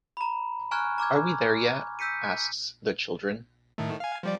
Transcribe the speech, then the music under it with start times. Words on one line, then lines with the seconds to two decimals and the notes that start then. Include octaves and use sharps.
"Are we there yet?" asks the children.
0.17 A#5 B5
0.71 G#5 A#5 C#6 F6 F#6 G#6
0.98 A#5 D6 F6 G#6
1.99 E6 G6 B6 C#7 D#7
3.78 A2 D#3 A3
4.00 F5 G#5
4.23 F3 G3 D5